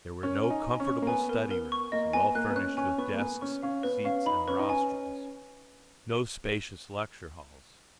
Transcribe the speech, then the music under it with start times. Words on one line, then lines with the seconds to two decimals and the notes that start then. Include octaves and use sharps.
There were no comfortable study rooms, well furnished with desks, seats, and rostrums: no spacious lecture halls.
0.23 C#4 A#4
0.43 G#5
0.50 D#4
0.66 G#5
0.80 C#4
0.87 C#6
1.02 A#3
1.07 B3 G#5
1.29 A#4
1.51 A#4
1.72 C#6
1.92 A#3 D#5
2.13 B3 G#5
2.35 A#3 F#6
2.50 B3
2.56 C#4 F#6
2.77 C#4 G#5
2.98 B3 C#6
3.14 A#3
3.20 B3 G#5
3.41 C#4 C#6
3.62 C#4 F5
3.83 B3 B4
4.04 C#4 F5
4.26 D#4 B5
4.48 C#4 B4
4.59 D#4
4.69 C#4 G#5